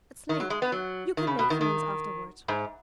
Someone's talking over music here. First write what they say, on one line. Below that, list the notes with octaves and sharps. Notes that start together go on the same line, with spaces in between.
"It's late. You can make friends afterward."
D#3
F#3
G#3
B3
F#3
D#3
C#3
B2
D#3
D#3
G#2